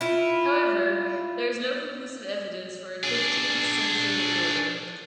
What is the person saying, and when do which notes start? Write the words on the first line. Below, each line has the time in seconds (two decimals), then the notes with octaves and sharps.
However, there is no conclusive evidence for a fifteenth-century order.
0.01 E4 F4
3.03 D4 G#4